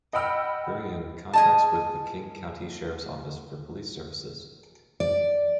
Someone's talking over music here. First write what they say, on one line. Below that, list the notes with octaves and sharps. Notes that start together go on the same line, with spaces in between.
Burien contracts with the King County Sheriff's Office for police services.
D#5 F#5 G5 B5 E6 F6
G#4 D#5 A5
D5